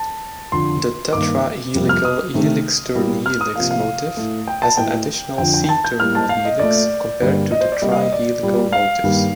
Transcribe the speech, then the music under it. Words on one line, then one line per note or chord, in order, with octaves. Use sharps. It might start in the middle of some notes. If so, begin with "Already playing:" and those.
The tetra-helical helix-turn-helix motif has an additional C-terminal helix compared to the tri-helical motifs.
Already playing: A5
F2 D3 F3 C6
G2 D#3 A#3 D6
F2 C3 G3 A#3
F6
D#6
C3 D#3 A3
A2 G3 A#3
F6
D#6
C3 F3 A#3 F5
F5
A2 A3
G5
A5
A2 A3 G5
F2 D3 F3 G5
G5
G5
A5
G6
A2 G3 A#3 F6
A5
F5
D#5
A#2 A3 D5
G2 D3 G3 A#3
D#5
C5
D5
C3 G3 A#3 D#5
F5
D#5
D5
A#2 G3 A#3
F5
G2 D#3 G3 A#3